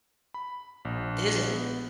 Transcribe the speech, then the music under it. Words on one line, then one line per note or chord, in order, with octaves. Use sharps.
Is it?
B5
A#1
B3